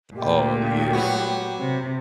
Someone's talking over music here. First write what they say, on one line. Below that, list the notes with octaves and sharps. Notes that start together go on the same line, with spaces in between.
Oh yeah.
A#2 A3 G4
F#3 B3 F#4
C3